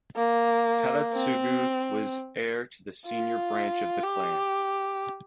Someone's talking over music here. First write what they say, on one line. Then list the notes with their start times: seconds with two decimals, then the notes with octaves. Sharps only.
Tadatsugu was heir to the senior branch of the clan.
0.16 A#3
1.13 C4
3.07 F4
4.04 G4